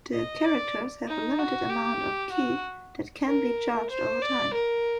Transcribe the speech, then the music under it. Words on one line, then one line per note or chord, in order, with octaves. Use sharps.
The characters have a limited amount of ki that can be charged over time.
D#5
D5
D#4
F#4
G4
F#4
A#4
C5
D5
A#4